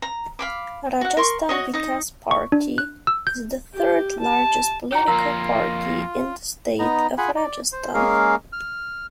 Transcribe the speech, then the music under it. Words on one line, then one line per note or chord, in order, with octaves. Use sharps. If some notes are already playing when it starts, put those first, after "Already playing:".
Rajasthan Vikas Party is the third largest political party in the state of Rajasthan.
A#5
F5 B5 D6
F#4 F#5
A#4 C6 C#6
F#4 C#5 D#5
D#4 D#5
C#6
D4
F#6
E6
G6
G4
A5
F#4 G4 C#5 A#5
F2 A#3 F4 A#4 A#5
B3 D#4 A#5
F4 G#4 F#5 G#5 B5
D5
C5
G#3 A#3 C#4 G#4 A#4 F5
F6